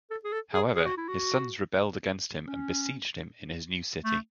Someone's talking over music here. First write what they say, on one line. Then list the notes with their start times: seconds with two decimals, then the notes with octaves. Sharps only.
However, his sons rebelled against him and besieged him in his new city.
0.10 A4
0.24 G#4
0.32 A4
0.54 G#4
0.75 G#4
0.85 F#4
0.97 E4
1.08 F#4
2.46 C#4
4.04 A3